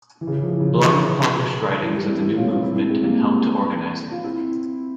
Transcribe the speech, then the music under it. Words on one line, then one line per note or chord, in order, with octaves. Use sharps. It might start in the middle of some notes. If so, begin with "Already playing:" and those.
Blum published writings of the new movement and helped to organize it.
E3
C#3
E3
F3
E3
C#3 F3
E3
C#3
E3
E3 G3
C4 E4
C4 E4
C#4 F4
C#4 F4
C4 E4
C4 E4
G#3 C4
G3 A#3
F4
C4 E4